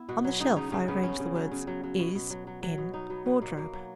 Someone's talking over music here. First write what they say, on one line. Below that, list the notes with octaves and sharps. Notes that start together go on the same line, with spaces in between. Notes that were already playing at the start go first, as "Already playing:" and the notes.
On the shelf I arranged the words, is, in, wardrobe.
Already playing: B3 E4
B2 F#4
F#3
C#3 D#4
C#3 D#4
C#3 C#4
C#3 B3
C#3 C#4
C#3
F#3
C#3
F#3
F#3
B2
B2
F#3
F#3
F#3
B2
F#3 D#4
F#3 B3
B2 B3
B2 A#3
B2 A#3
F#3